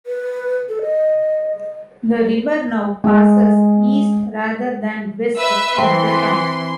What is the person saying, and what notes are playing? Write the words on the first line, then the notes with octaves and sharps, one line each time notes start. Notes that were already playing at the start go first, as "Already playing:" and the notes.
The river now passes east rather than west of the town.
B4
A4
D#5
G#3
B4 E5 E6
E3 C4 C6